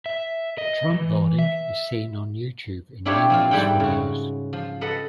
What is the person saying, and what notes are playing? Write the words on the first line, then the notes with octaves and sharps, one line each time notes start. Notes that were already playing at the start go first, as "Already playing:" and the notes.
Trampboarding is seen on YouTube in numerous videos.
E5
D#5
E3
E5
C4 D4 E4 F4 G4 C#5
F3 C4 F4
G#2 G3 E4 F#5 G5
C#3 F#4
F3
A4 B4 D#5 F#5